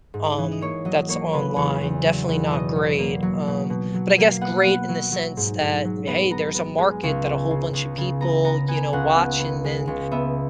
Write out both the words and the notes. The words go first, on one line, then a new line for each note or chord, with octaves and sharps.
um, that's online. Definitely not great. Um, but I guess great in the sense that, hey, there's a market that a whole bunch of people, you know, watch and then,
G#2
E3
D#5
A#3 C#5
F#3 D#5
A#3 C#5
C#3 B4
E2 C#5
E2
F#3
E2
B2 D#5
F#3
A#3
F#3
B2
B2
F#3
A#3
B3 F#5
B3
F#3
F#3
G#2
G#2
F#3
B3
B3 A#5
B3
G#3
C#2
G#3
C#3
C#2
C#3
B3 A#5
B3 A#5
B3 G#5
C#2 F#5
B3
B3
G#3
C#2
B3 E5